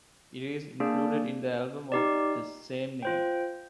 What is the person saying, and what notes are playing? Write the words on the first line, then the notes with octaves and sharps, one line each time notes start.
It is included in the album of the same name.
A#3 D4 G#4 D5
D#4 G4 D5
F4 C5 G5